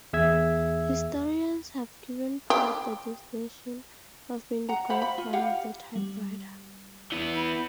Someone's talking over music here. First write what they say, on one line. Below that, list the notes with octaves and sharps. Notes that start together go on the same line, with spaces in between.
Historians have given Pratt the designation of being the "grandfather" of the typewriter.
E2 G#4 E5 E6 G#6
G4
F#5 A#5
C5 F5 F#5 B5
B5
F4
G4 F5 F#5
G3
E3 B3
E4